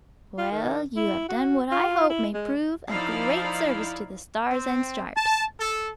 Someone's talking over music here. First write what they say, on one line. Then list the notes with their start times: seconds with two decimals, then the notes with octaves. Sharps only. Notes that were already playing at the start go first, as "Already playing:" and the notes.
Well, you have done what I hope may prove a great service to the Stars and Stripes.
0.38 F4
0.51 D#3
0.96 E4
1.29 F#4
1.71 F4
2.09 E4
2.34 G#3
2.89 F3 D#4 E4 D5 F5 B5
4.50 C4
5.15 A5
5.58 A4